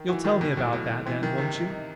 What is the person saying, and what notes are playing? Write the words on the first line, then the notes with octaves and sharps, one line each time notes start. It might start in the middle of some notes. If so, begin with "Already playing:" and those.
"You'll tell me about that, then--won't you?"
Already playing: D#3
E3 F#4
D#3 F#4
B2 D#3
A2 F#3
B2 F#3
D#3
E3 C4
D#3 F#3
C3 D#3
D#3
D#4